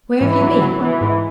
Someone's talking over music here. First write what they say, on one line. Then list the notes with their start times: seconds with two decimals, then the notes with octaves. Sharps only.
Where have you been?'
0.21 G#2 E3
0.41 F#3
0.61 F#3
0.81 E3 B3
1.01 G#2